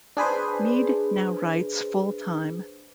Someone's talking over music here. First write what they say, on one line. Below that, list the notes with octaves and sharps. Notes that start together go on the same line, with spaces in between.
Meade now writes full-time.
D4 G#4 B4 C5